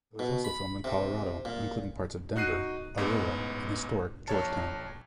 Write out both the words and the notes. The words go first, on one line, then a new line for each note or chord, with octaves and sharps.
It was also filmed in Colorado, including parts of Denver, Aurora and historic Georgetown.
B2
B5
C3
A#2
D#4 F#4 F#6 C7 D#7
A1 G#2 B3
A#1 C#5 A5